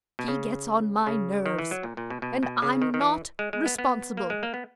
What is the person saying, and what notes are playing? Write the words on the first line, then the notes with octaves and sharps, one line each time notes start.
She gets on my nerves, and I'm not responsible.
B2
C#3
C#3
D#3
E3
F#3
A#2
A#2
B2
B2
B2
C#3
D#3
D#3
E3
G#3
G#3
B3
B3
A#3
G#3
A#3
B3